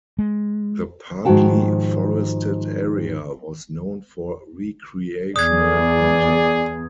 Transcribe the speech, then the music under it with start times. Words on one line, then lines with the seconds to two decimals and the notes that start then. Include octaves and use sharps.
The partly-forested area was known for recreational hunting.
0.19 G#3
1.25 G#2 D#3 F3 F#4 G5 A5
5.36 E2 G#4 D5 D#6 G#6